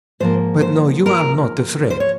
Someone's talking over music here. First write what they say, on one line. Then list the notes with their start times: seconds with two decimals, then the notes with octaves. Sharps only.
But no, you are not afraid.
0.20 G#2 F3 A#3 C5
0.62 C5
1.06 A#4
1.90 C5
2.00 C#5